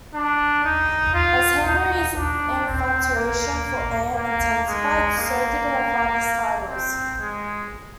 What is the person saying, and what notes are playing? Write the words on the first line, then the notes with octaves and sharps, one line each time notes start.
As Henry's infatuation for Anne intensified, so did her father's titles.
D4
D#4
F4
D#4
D4
C4
A#3
A#3
G#3
A#3
C4
G#3